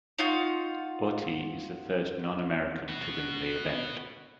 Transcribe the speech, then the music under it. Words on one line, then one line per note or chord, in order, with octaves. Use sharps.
Autti is the first non-American to win the event.
D#4 F4 F#4 F5
B3 F#4